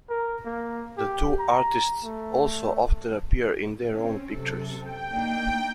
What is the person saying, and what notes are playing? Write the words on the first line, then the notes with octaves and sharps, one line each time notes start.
The two artists also often appear in their own "pictures".
A#4
A#3
G4
A#5
A3
C4 C#4
F#2 C3 A4
G5
A#3 D4 D#4